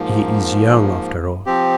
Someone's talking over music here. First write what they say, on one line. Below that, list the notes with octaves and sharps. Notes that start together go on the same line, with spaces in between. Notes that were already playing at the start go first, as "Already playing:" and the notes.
He is young after all.
Already playing: G#2 F3 A#3
F3 C4 G4